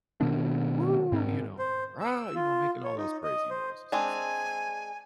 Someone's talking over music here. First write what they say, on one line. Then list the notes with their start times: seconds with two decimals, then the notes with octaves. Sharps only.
"Woo!" you know, "Rah!" you know, making all those crazy noises and stuff like that.
0.21 B2 D#3 B3 D4
1.12 G#2 C4
1.59 C5
2.00 E6
2.35 F4
2.84 C#5
2.97 D#4
3.24 D#5
3.50 C5
3.92 G#3 C4 D4 G#5